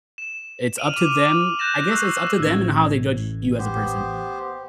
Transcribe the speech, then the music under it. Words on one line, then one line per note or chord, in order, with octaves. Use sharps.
It's up to them I guess it's up to them and how they judge you as a person.
E7
F6 D7 D#7 F7 F#7
D6 F6 E7
F#6 G6 A6 A#6 E7 F#7
C#6 D6 E6 F#6 G6 C7
A1 G#6
B3 G4 C5